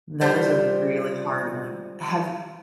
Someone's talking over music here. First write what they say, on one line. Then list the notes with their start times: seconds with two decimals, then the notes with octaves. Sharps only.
That is a really hard one, have
0.21 G3 F4 C5 G5